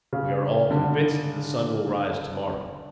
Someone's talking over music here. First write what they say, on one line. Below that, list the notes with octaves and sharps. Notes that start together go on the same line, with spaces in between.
We are all convinced that the sun will rise to-morrow.
C#3
D3